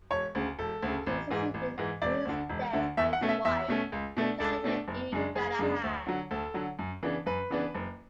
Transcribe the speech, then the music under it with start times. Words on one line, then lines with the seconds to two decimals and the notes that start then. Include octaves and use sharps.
He was succeeded after his death by his wife, Kathryn E. Granahan.
0.10 E1 C#5
0.35 D2 C#3
0.59 E1 A4
0.82 D2 C#3
1.06 A1
1.30 G#2 E3
1.54 A1
1.78 G#2 E3
2.02 E1 D5
2.25 D2 D3
2.49 E1
2.73 D2 D3
2.97 E2 E5
3.13 F#5
3.21 B2 A3 C#4
3.29 E5
3.45 E2 E5
3.68 B2 A3 C#4
3.92 C#2
4.17 B2 A3 D4
4.40 C#2 A4
4.64 B2 A3 D4
4.88 F#1
5.12 F#2 C#3 G#3 D4
5.35 F#1 G#4
5.59 F#2 C#3 G#3 D4
5.83 D2
6.07 D3 F#3
6.31 D2 A4
6.54 D3 F#3
6.79 F#2
7.03 C#3 E3 B3 D4
7.26 F#2 B4
7.50 C#3 E3 B3 D4
7.75 F#1